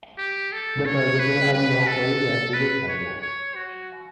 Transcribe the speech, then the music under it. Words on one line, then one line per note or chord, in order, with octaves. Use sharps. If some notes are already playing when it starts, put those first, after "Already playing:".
The purchaser had no choice as to the titles.
G4
A4
C#5
B4
B4
A4
B4
C#5
C#5
F#4